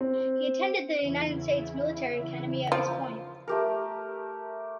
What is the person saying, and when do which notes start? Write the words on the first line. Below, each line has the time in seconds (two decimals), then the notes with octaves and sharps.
He attended the United States Military Academy at West Point.
0.01 C4
1.01 E2 C#3 E4
2.72 F3 F4
3.48 A3 G4 A#4